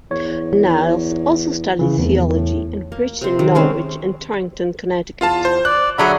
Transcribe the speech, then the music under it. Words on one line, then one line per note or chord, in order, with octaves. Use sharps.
Niles also studied theology and preached in Norwich and Torrington, Connecticut.
E2 C#5
C#3 E3
F1 E2
A2
A#3
C3 C5
D#3
G#3 C4 C#4 C5
E2 F4 F5 A5
C5
D5 F#6
D3 F#3 G#4 E5 F#5 B5